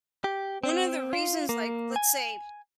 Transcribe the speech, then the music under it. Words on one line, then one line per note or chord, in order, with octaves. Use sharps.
one of the reasons, like, let's say
G4
C4
F4
A#3
G#5